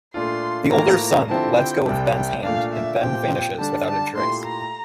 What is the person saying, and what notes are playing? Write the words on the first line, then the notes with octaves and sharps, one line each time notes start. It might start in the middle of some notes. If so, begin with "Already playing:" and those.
The older son lets go of Ben's hand and Ben vanishes without a trace.
A#2 A3 D4 F4 C6
A2 F3 A#3 A#5
D3 F3 C4 E4 G4 A5
G5
C2 C3 G3 G5
G5
A#2 A3 D4 F5
E5
A#2 F3 C4 G4 G5
D3 G3 D4 A5
A5
A#2 A3 E4 G4 C6
A#5